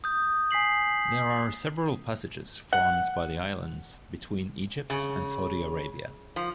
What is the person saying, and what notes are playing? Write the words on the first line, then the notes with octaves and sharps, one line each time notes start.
There are several passages formed by the islands between Egypt and Saudi Arabia.
D#6 G6
G#5 B6 C7 F#7
F#5
C#3
F3